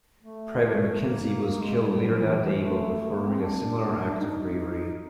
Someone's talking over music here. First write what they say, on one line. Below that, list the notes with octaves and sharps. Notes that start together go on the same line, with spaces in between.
Private Mackenzie was killed later that day while performing a similar act of bravery.
A3
A#3
A#3
A#3
G#3
G3
F#3
F3
E3
A3
A3
A#3
C4
D4
D#4